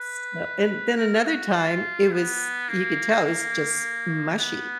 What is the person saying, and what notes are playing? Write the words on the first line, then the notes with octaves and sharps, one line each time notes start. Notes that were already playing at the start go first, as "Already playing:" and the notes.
So and then another time it was you could tell it's just mushy,
Already playing: B4
A#4
F#4
F4
B3
A#3
A#3
B3